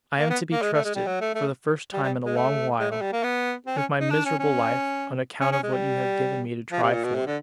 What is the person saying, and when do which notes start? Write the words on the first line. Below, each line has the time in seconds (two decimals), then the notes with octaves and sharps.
I am to be trusted, for the first time in a long while, with my miserable life, on account of what you have given me to try for.
0.19 A#3
0.30 B3
0.52 A#3
0.62 G#3
0.73 A3
0.85 G#3
0.95 G3
1.06 F#3
1.21 A3
1.35 A3
1.93 G3
2.03 G3
2.26 G#3
2.37 A3
2.80 G#3
2.91 A3
3.02 G3
3.13 A#3
3.24 B3
3.66 C4
3.77 C#4
4.00 D#4
4.11 D4
4.25 C#4
4.39 C#4
5.41 C#4
5.52 C#4
5.63 G#3
5.73 G3
6.72 F3
6.82 C3
6.93 A#2
7.04 B2
7.15 C3
7.27 D3